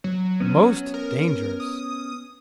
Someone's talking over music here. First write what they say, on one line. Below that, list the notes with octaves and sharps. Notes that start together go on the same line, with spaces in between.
Most dangerous!
F#3
B3 C#4
A#4
D#6